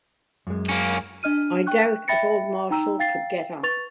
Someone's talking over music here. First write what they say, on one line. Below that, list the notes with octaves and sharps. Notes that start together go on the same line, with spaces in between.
I doubt if old Marshall could get up.
F#2 G#3
A#3 C#4
D4 D#5 F6 D#7
G5 C#6 F#6
E5 G5 B5 A6 A#6 C#7
D#4 G5 A#5 E6
F5 G5 A6 C7
B4 C#6 A6 F7